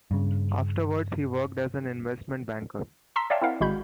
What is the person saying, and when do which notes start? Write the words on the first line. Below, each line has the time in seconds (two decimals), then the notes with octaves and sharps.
Afterwards, he worked as an investment banker.
0.11 G2 C#3
3.16 A5 A#5 C6 E6 B6
3.30 C#5 D5 E5 F5 G5 A5
3.41 C4 E4 A#4 F5 F#5
3.61 G#1 G#3 F#4 B5 G6